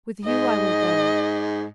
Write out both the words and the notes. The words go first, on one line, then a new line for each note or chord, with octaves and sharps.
With you I will go.
G#2 D#5